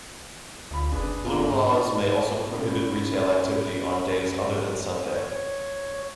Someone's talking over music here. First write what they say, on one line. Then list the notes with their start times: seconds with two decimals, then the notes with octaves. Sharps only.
Blue laws may also prohibit retail activity on days other than Sunday.
0.71 D2 F4 B5
0.92 F#1 D4 G#4 B4
1.25 F#2 A#3 F4 A#5
1.47 G#2
1.70 D#4 D5 F6
2.45 C#4 B5
5.17 C#5